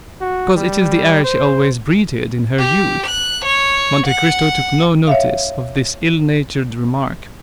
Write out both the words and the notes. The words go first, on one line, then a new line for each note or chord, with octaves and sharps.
"Because it is the air she always breathed in her youth." Monte Cristo took no notice of this ill-natured remark.
F#4
G3
C5
G4
F#6
C#5
F#5
C#5 E5 F5